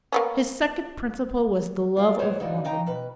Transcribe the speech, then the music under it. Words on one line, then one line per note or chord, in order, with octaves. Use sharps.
His second principle was the love of woman.
A#3 B3 C#4
F4 D5 F5
A2 G#3 B3 G#4 C5 C#5
G2 D3 F3 D#4 F#4
D#2 C#3 D#4 G5 A#5
B2 B4